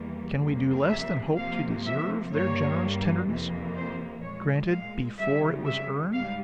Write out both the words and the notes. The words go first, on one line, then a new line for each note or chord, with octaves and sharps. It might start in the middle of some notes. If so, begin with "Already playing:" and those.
Can we do less than hope to deserve their generous tenderness, granted before it was earned?
Already playing: E2 E3 G3 A#3
F2 C#3 G3 A#3
E5
C3 F3 A#3 F5
E5
G2 G3 A#3 C#5
F2 C3 E3 A#3
C5
A#2 G#3 C#5
F5
F2 C#3 G3 E5
E5
G#2 G3 F5